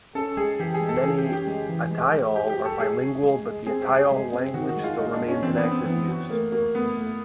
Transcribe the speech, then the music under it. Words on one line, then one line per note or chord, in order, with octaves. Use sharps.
Many Atayal are bilingual, but the Atayal language still remains in active use.
C#4 A4
G#3 G#4
E3 G4
G#4
G#3
A4
E3 G#4
G4
C#4
G4
G#3
E3
G#3
G#3
G#3 G4
G4
F#4
A4
G#3 G#4
F#4
G#3
G#3
C4 G#4
G4
G#3
G#4
G#3
C4
D#3 F#4
F#4
G#3
F4
G#3 D#4
D4
G#3
C#4
E3 C4
B3
D4
C4
E3 B3
F#4
A3 A#3
A#3 F#4
A3 B3
A3